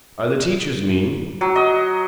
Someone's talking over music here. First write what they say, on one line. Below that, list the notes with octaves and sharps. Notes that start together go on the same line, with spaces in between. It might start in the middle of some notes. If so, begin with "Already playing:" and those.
"Are the teachers mean?"
F#3
D#5